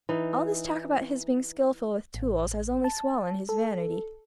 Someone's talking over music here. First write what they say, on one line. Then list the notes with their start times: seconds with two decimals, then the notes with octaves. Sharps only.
All this talk about his being skilful with tools has only swollen his vanity.
0.09 E3 D#4
2.14 A1
2.84 A5
3.49 A4